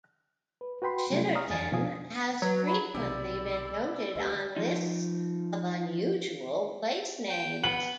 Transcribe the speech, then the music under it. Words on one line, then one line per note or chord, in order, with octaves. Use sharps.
Shitterton has frequently been noted on lists of unusual place names.
B4
F#4 B4 G5 B5 C6
C3 F#3 G3 A3 C#4
C#5 A#5 D#6 F6
F2 E3 G#5 A6
B2 F3 D#4 F5 G#5 D#6
F#3 B4
B5
B1 C3 D#3 G3 D5 B5 E6
D2 G4 B4 D#5
F3 D#4
G5
B3 F#7